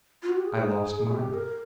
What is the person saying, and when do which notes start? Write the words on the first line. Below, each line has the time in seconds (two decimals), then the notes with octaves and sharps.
"I lost mine."
0.23 F4
0.30 F#4
0.38 G4
0.46 G#4
1.11 G4
1.34 A#4